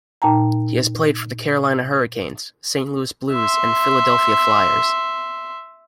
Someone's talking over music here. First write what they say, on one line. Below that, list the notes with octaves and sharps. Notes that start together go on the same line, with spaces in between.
He has played for the Carolina Hurricanes, Saint Louis Blues and Philadelphia Flyers.
A#2 D#4 G5 A5 A#5
E5 C6